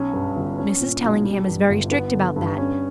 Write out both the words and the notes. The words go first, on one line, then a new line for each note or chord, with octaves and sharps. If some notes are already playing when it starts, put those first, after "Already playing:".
Mrs. Tellingham is very strict about that.
Already playing: B1 C#4
G2
G1
C#4
A#2
B1
G3
G2
G1
B3
D3
G2
C#4